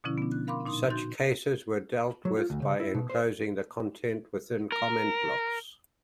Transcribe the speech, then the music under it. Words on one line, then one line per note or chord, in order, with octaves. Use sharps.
Such cases were dealt with by enclosing the content within comment blocks.
B2 D3 F3 C#4 E4
B3 D4
F#6
A#4 F5 B5 C6 D6
A#2 D#4 C6 D#6
D#4 F#4 C6 G6 A6
F#3
F4
D2
C#3
E4
B2
C5
A#4